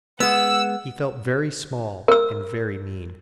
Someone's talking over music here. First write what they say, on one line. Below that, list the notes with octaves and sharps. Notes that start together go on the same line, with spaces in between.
He felt very small and very mean.
G#3 B3 F#5 E6
A#4 E6